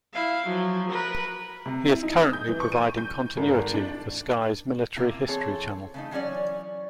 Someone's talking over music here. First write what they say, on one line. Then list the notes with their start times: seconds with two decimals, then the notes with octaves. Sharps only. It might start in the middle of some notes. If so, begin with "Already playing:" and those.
He is currently providing continuity for Sky's Military History Channel.
0.13 E4 F5
0.47 F3 F#3
0.90 A#4 B4
1.66 C3
1.89 E4
2.03 D#4
2.17 D#6
2.33 G6
2.48 E3
2.60 C#6
2.72 D#7
2.97 G6
3.37 G#1
3.59 G#1
3.74 D4
4.96 C3 A#3 E4 F4
5.28 E3 C4 G#4 A4 C#5
5.94 C#3 A3 D#4
6.11 E3 F#3 C#4 C#5 D5